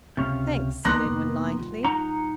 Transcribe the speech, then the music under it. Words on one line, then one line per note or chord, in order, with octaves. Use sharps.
"Thanks," said Edwin lightly.
C#2 C3 C#4 F5
D2 D#3 A#3 B3 C6 F#6 A#6
F1
D#1 F4
D#4 F#5 A#5